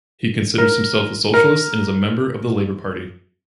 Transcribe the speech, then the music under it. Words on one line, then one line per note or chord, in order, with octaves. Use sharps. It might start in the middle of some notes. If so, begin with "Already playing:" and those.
He considers himself a socialist and is a member of the Labour Party.
A#4
A#4